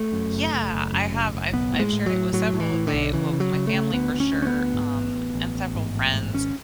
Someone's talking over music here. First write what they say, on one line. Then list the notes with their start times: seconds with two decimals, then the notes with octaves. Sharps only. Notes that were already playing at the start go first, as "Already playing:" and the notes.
Yeah, I have, I've I've shared it with several of my well, my family for sure, um, and several friends,
Already playing: A3
0.13 F#2
0.32 F#1
0.53 F#1
0.73 F#1
0.93 F#2
1.13 F#1
1.33 F#1
1.53 B1 B3
1.73 A2
1.80 G#3
1.93 A2
2.06 F#3
2.13 A2
2.33 A2 F#3
2.53 A2
2.60 E3
2.73 A2
2.87 D3
2.93 B1
3.13 C#3 E3
3.33 C#3
3.40 F#3
3.53 C#3
3.67 A3
3.74 C#3
3.93 D2 B3
4.13 D2
4.20 C#4
4.33 D2
4.42 C#4
4.47 B3
4.53 D2
4.73 G#2
4.94 A1
5.14 A1
5.34 A1
5.54 A1
5.74 G#2
5.94 A1
6.14 G#2
6.33 G#1 C#4